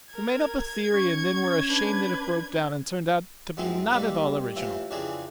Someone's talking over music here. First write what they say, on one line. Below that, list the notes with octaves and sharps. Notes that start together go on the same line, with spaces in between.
You made up a theory and then were ashamed that it broke down and turned out to be not at all original!
A#4 G#6
C#4 C#6
D4 B4
F#2 G#3 B3 C4 D#4 E4
D#3 G3 A#3 C4 A4 B4
A2 C3 E3 F3 E4
F2 C#3 E3 C4 D4 G#4